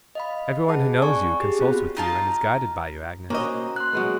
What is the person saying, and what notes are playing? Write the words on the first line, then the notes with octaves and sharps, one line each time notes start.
Everyone who knows you, consults with you, and is guided by you, Agnes.'
D#5 F5 B5
G#4 B4 F#5 A5
C4 D5 G#5 C#6
G4 G#4
B3 C4 F4 F#4 B5
D#4 F4 A5
A#3 C#4 F#4 C5 D#5
C6 F#6
F#3 G#3 B3